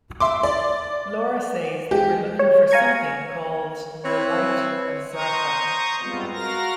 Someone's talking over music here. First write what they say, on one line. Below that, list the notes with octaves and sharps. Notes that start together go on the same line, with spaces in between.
Laura says they were looking for something called the Light of Zartha.
E5 C6 D6
D5
G#3 G4
C#5
F5 G#5 A#5 C#6 G#6
C4 E4 B4 C#5
C5 A#5 C#6 D#6
G3 G#3 B3 C4 F4
F#4 A#4 F5 A#6